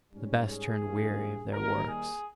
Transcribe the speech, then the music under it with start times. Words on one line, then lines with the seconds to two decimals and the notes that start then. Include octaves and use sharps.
The best turned weary of their works.
0.13 G#2 G3 C#4
0.48 G#4
0.83 G2 E3 A#3 C#4
1.53 D#2 D#3 G3 A#4
1.87 G#4